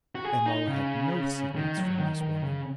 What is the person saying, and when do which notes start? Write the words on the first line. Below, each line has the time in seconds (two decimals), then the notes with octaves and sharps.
M.O. had no secrets from this woman.
0.15 F#4
0.25 G#4
0.46 D#4
0.68 C#3
1.55 D#3
1.77 F#3
1.99 D#3
2.21 D#3
2.42 C#3